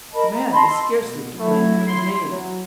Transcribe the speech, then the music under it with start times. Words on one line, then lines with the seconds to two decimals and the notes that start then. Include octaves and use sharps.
The man is scarcely to blame for his name.'
0.13 A#4 D#5 A5 B5
0.32 A#5
0.52 D#5 A5 B5 C6
0.66 A4 D#5 C6
1.01 B2
1.38 F#3 A3 E4
1.86 C6
2.31 F#3